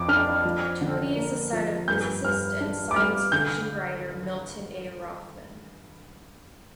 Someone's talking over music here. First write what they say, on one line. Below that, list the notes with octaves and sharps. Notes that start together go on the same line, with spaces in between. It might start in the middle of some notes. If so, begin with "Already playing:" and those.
Tony is the son of physicist and science fiction writer Milton A. Rothman.
Already playing: F2 D6
D4 F6
F3
D3
A#3
F3
G2 G6
G2 F6
D4
D6
G3 F6
D3 G6